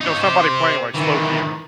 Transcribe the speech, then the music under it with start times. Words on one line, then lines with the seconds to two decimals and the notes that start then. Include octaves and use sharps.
know, somebody playing, like, slow piano.
0.01 D#4 C#5
0.20 G4 C5
0.95 D#3 E3